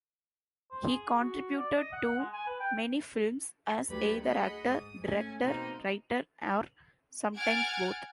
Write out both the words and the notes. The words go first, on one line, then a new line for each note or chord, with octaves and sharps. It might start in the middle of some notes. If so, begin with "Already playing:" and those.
He contributed to many films as either actor, director, writer or sometimes both.
C5
G#4
F#4
D5
D#5
F#5
G#3
G#5
B4
G5
D2 F#3 G3 G4 B4 B5
G#4 D#5 F#5 B5
G#2 D#6
A3 C#4 G#5
B2 A#3 C4 D#4
F#5 G#5 F6 G#6 A6 D7